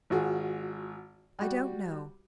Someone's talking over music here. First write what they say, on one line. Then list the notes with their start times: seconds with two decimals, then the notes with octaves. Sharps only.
I don't know.
0.10 G#1 F4 F#4 G#4
1.39 G3 F#4